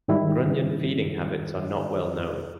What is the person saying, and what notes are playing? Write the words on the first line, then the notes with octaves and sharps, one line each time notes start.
Grunion feeding habits are not well known.
G#2 D#3 G3 E4